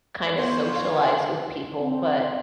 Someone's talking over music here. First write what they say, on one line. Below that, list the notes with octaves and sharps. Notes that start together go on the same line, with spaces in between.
kind of socialize with people, but
B3 F4 C5 C#5
F5
C4